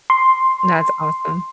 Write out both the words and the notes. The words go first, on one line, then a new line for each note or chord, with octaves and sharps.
That's awesome.
C6